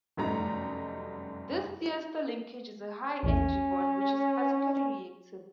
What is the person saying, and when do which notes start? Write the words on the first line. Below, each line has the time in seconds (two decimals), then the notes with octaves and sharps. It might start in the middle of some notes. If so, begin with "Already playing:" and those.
This thioester linkage is a "high energy" bond, which is particularly reactive.
0.17 F1 F#2 G3 A3 D#4 A#5
3.23 A#1 E2 C#4